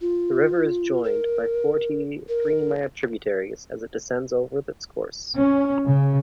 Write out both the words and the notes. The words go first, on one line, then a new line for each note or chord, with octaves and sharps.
The river is joined by forty-three minor tributaries; as it descends over its course.
F4
A#4
A#4
C#4
C#3